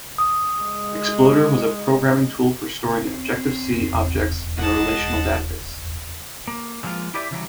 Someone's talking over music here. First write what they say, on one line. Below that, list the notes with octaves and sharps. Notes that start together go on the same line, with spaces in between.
Exploder was a programming tool for storing Objective-C objects in a Relational database.
D#6
G#3
C4 C#4
G#3 D#5 F#5 A5
A#3
D3 F3 G#3 A#3 F4
E4 G4 B4 D5 E5
C#3 E3 F#3 G3